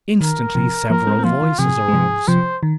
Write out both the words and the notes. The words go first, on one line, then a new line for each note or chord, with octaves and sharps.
Instantly, several voices arose.
D#3 A#4
C3 F3
F3 A#3 A#4
G#3 C4
C4
F3 A#3 F4
D#3
C3 F3 G#4
G#3
C3 F3
C3 F3 C5
D#3